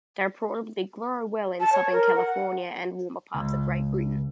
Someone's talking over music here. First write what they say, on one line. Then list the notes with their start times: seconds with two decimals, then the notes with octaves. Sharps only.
They reportedly grow well in Southern California and warmer parts of Great Britain.
1.60 A5
1.73 C#5
1.92 A#4
2.16 F#5
3.35 C#2